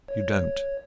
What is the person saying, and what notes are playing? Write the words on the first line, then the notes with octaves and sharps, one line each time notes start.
You don't.
C#5